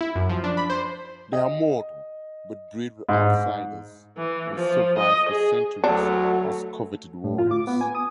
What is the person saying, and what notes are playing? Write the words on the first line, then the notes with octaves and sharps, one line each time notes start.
They are mortal, but breed with outsiders and survive for centuries as coveted warriors.
E4
F#2
F3
D4
B5
C5
D#5
G#2
E3
F3
D#5
G#4
D2 F#3 A3 D4 A4
A2
F4
D6
B3
G#5
D#6